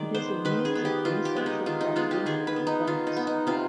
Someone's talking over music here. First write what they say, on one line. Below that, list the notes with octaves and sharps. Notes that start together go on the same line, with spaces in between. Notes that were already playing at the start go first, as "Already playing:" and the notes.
It is a means of asexual propagation in plants.
Already playing: D#3 G#3 D5
B3 C5
D#3 B4
G#4
B3
G4
D#3 F4
G4
G#3 B3
D#4
D#3 F4
D#4
G#3 B3 F4
G4
D#3 G#4
B4
B3
D#4
D#3 F4
D#4
B3
D#4
C3 F4